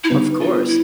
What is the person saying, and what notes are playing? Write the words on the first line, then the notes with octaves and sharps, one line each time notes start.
Of course.
E4
D3 G3 B3 D4 D#4
F4
E4